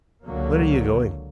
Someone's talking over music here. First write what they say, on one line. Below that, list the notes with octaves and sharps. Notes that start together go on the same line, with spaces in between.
"Where are you going?"
C#2 D3 F#3 A#3